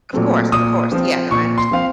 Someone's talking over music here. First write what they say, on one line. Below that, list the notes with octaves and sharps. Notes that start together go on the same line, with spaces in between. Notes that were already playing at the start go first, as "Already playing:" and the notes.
Of course, of course, yeah, no, I understood.
A#2 F#3 A3 C4
A#2 D#6
F3 C4
A#2 C#6
C6
F3 C4 F5